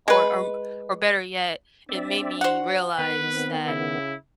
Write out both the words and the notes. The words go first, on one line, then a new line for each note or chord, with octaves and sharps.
or, um or better yet, it made me realize that
G#3 B4
C4 D4 D5 E5
F#4 C5 F#5
D#3 B3 B4
C4
C#3 E4